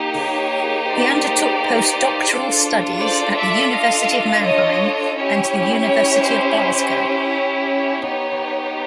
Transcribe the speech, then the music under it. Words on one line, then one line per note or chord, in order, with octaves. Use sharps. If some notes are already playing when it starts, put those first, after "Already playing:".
He undertook post-Doctoral studies at the University of Mannheim and the University of Glasgow.
Already playing: A#3 D#4 G4
C#5
C5 D5
D4 F4 A4
C5 D5
D5 E5
D#5 F5
C#5 D#5
C#4 E4 G4 C#5
C#5
C5
C5
C#5
B3 D#4 G4